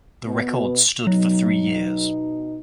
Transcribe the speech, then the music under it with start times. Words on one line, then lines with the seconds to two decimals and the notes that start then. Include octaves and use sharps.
The record stood for three years.
0.25 B2 B3
1.07 B2 F#3 D#4